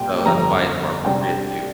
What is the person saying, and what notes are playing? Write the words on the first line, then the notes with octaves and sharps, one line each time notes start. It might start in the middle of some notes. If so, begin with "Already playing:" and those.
So, that's why it's more appropriate to
Already playing: C2 A#2 G5
G1 F2 F3 A#5
C2 C3 G3 D4 G5